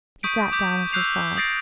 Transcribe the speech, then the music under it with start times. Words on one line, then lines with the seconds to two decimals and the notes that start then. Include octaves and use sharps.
He sat down at her side.
0.23 C#6 D#6 G6 B6 D7
0.52 D6 G6 B6
0.92 E6 F#6 G6 C7 F7
1.37 D#6 G6 A6 A#6 C7 D7